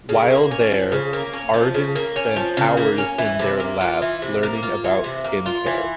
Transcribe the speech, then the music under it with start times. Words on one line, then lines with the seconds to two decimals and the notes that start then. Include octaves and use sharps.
While there, Arden spent hours in their lab, learning about skincare.
0.09 C#3
0.30 A#3
0.51 C#4
0.71 F3
0.92 C#3
1.13 A#3
1.33 C#4
1.54 F3
1.74 C#3
1.95 A#3
2.16 C#4
2.36 F3
2.57 C#3
2.77 A#3
2.98 C#4
3.18 E3
3.39 C3
3.60 A#3
3.81 F4
4.02 E3
4.22 C3
4.43 A#3
4.63 F4
4.84 E3
5.04 C3
5.24 A#3
5.46 F4
5.66 E3